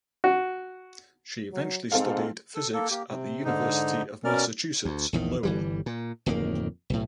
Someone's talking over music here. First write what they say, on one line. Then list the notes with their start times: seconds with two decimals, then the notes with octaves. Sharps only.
She eventually studied physics at the University of Massachusetts Lowell.
0.24 F#4
1.53 F#3
1.92 G#2 C4 A4 F5
2.55 A4
2.73 A#3 A4
2.90 A#3 G4
3.10 C3
3.44 G#2 D3 D#4
4.24 B2 C#4 A#4 D5 F6
4.85 D2
5.13 A#1 E2 D#3
5.43 G1 E3 G3
5.86 A#2
6.26 D1 F2 D#3 A#3
6.90 B1 A2